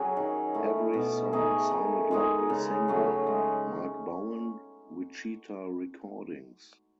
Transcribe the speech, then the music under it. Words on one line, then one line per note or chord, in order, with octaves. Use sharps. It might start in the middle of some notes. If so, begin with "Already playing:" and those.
Every song sounded like a single - Mark Bowen, Wichita Recordings.
Already playing: F#3 C#4 G#4
D#3
A3 E4
B2
A3 D#4 G#4
D#3
G#3 D#4 G#4
C#3
F#3 A3 C#4
G#3